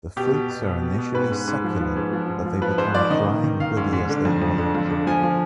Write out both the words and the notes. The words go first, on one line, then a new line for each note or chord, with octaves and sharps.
The fruits are initially succulent but they become dry and woody as they age.
B2 G4
B2
B2
B2
B2
B2
G#2 B4
G#2
G#2
F3
F3
G#2
F3
G#2
F3
F3 B4
G#2 C5
F3 D5
D#3 D#5
D#3
D#3
D#3 F5
G#2
G#2
D3
F2
F2
D3
F2
D3
F3 G#5
F3